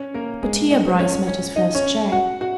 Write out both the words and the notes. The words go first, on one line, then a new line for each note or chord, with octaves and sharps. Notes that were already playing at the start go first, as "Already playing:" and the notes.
But here Bryce met his first check.
Already playing: C#4 C#5
A#3 A#4
G#3 G#4
D#4
C5
C#4 C#5
C#4 C#5
D#4 D#5
C#4 C#5
F#4 F#5
F#4 F#5